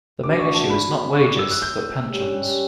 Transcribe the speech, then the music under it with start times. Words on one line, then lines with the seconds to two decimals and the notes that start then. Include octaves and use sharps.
The main issue was not wages, but Pensions.
0.23 D3 A3 D4 F#4 D6
0.39 C#6
0.54 A5
0.70 B5
1.16 C#6
1.27 D6
1.39 E6
1.51 F#6
1.62 G6
2.08 G3 C#4 G4